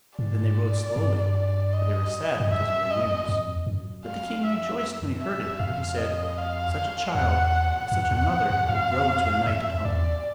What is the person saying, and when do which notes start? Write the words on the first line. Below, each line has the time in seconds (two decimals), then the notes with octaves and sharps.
Then they rode slowly, for they were sad because of their news; but the king rejoiced when he heard it, for he said: "Such a child, with such a mother, will grow into a knight at home."
0.19 G#2 D5
0.96 G2
1.73 D#5
2.40 G2
2.51 F#2 E5
2.90 D#5
3.29 F2
3.66 F#2
4.05 F5
4.43 E5
5.21 E5
5.60 F2 F5
5.98 D#5
6.37 F5
7.15 E2 F#5
7.91 F2 F#5
8.11 E2
8.50 F2
8.69 F2 F5
9.46 F2 E5
9.85 E2 D5